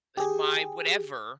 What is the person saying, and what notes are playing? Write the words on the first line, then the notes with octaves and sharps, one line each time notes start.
uh, my" whatever.
G4 G#4